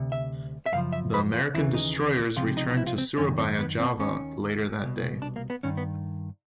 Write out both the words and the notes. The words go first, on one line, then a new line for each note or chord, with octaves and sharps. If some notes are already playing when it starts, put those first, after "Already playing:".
The American destroyers returned to Surabaya, Java, later that day.
Already playing: D2 C3
E5
E5
F#2 C#3 F3 F5
E5
B4
F4
D#2 C#3 E3 E4
D#4
C#2 C3 F3 F4
D#4
D#4
E4
F4
C4
F#2 D#3 C#4
C4
B3
C4
D#2 D#3 C#4
C2 B2
D4
A#3
B3
G2 D#3 C#4
B3